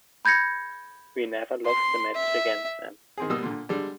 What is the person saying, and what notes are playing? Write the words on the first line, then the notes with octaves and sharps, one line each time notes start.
We never lost a match against them.
B5 G6 G#6 A#6 C#7
C6
E5
D#3 C4 G#4
B2 G3 A#3 D#6 E6
A#2 D3
D3 G3 G#3 D4